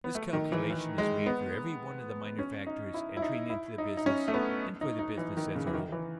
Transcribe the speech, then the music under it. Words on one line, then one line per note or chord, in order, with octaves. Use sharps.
This calculation is made for every one of the minor factors entering into the business, and for the business as a whole.
B3
A3
D#3
E3
E3
G#3
B3
C#4
D#4
E4
E4
D#4
E4
D#4
D#4
C#4
A3
B3
D#4
D#4
E3
D#3
C#3
E3
D#3
E3